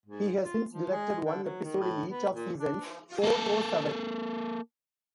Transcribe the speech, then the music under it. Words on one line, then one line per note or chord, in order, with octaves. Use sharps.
He has since directed one episode in each of seasons four through seven.
G#2
F4
F3
G#3
D3
F#3
D#3
A2
B3
A#2
D4
A#3 A4